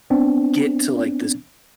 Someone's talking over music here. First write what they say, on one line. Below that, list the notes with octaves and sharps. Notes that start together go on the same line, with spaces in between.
get to, like, this
B3 C4 D4